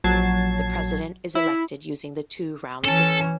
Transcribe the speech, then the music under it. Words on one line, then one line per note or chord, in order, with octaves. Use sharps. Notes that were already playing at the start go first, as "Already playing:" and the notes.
The President is elected using the two-round system.
A#1 F#3 A5 G#6 C7
E4
E3 C#4 A4 A5